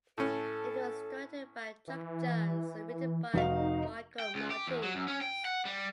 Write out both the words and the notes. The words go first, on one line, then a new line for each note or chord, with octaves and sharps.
It was directed by Chuck Jones and written by Michael Maltese.
A2 C#4 A4
E3
F1 D#4 F#4 F5
G5
C#2
G4
E2
F#3
F#2
C#4
G5
F#5
G3